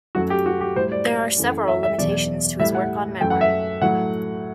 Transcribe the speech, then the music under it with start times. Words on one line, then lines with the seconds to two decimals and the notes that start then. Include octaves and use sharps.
There are several limitations to his work on memory.
0.15 F#2 F#3 A3 F#4
0.30 G4
0.46 F#4
0.61 G4
0.76 A2 G3 C5
0.92 D5
1.38 F#2 E3 A3
1.68 E5
1.83 E5
1.98 E2 B2 F#3 D5
2.59 A2 G3 E5
2.75 F#5
3.21 F#2 F#3 A3 G5
3.30 F#5
3.41 E5
3.81 A2 F#3 A3 F#5